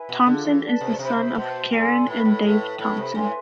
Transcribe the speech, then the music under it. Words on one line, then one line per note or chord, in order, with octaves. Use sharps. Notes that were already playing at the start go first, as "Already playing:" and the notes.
Thompson is the son of Karen and Dave Thompson.
Already playing: E4 B4 E5 G#5
B2
D3 D4 F4 G#4
E3
B4 D5 A5
C3
C3 C5 E5 B5
C3
B2 C5 E5 A5 C6
A4 D5 G#5 C6
A2 B4 E5 B5
A2
A2 F4 B4 E5
A2 B4 E5 B5
C3
A2 B4 E5 G#5 C6